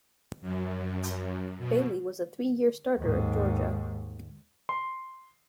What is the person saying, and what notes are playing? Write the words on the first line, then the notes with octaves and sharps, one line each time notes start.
Bailey was a three-year starter at Georgia.
F#2
B2
D#2 G#2
C6